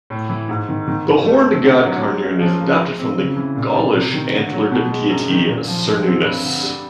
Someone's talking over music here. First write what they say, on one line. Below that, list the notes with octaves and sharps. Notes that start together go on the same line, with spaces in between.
The Horned God, Carnun, is adapted from the Gaulish antlered deity Cernunnos.
A2
E3
G#2
D#3
D#3
G#3
A3
C4
D3
F#3
G#3
C#4
F3
A#3
G#3
C4
C#3
E3
A#2
G3
C3
D#3
D3
F#3
B2
G#3
F#2
D#3
A#2
F3
G#3
C4
G2
D3
G3